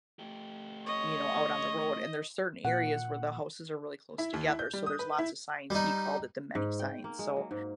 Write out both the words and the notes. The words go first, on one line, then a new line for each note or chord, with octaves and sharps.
you know, out on the road. And there's certain areas where the houses are really close together, so there's lots of signs, he called it The Many Signs, so
A3 G4
C#5 D#5
A#2 F#5
E4
D#2
E4
G6
G3
D#6
B4
E4
G3 D#4
G#2
G5
A#3
G#3
F#3
G#2